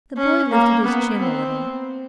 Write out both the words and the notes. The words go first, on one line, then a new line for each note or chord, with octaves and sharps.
The boy lifted his chin a little.
C#4
A#3
B3
C4